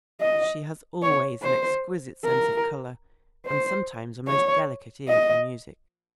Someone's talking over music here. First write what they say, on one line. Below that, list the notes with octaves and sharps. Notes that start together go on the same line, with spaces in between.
She has always an exquisite sense of colour and sometimes a most delicate ear for music.
D#5
C#5
C5
A#4
C5
C#5
D#5